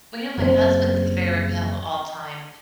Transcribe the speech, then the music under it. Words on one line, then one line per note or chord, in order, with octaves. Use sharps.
Well, you know, my husband's favorite meal of all time
F#1 C4